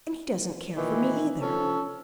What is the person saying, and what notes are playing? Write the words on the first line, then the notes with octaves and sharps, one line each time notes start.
And he doesn't care for me either.
A#2 D#3 E3
F3 C#4 A4